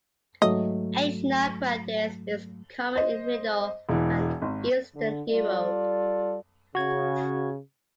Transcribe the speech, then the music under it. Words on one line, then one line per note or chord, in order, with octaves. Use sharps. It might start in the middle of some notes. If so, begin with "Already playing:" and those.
"Aeshna grandis" is common in middle and eastern Europe.
G#2 F#3 A3 D#5
C5 D#5
E1 E3
G#1
D3
G3 F4 A4 D5
C#3 F#4 G#6